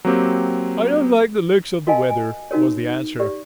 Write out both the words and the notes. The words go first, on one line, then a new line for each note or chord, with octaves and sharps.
"I don't like the looks of the weather," was the answer.
F#3 A#3 C4 G4
F#4 A#4 D#5 F5 G#5 A5
G#5
D#4 F#4 A#4 C#5
G4 D5